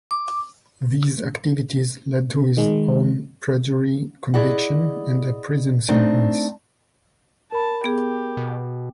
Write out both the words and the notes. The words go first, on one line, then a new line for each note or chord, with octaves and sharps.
These activities led to his own perjury conviction and a prison sentence.
D6
D#3 G#3
E4 G#4 D5 D#5 F#5
A3 C4 D4 D#4
A#4 A5 B5
B3 G4 G#4
B2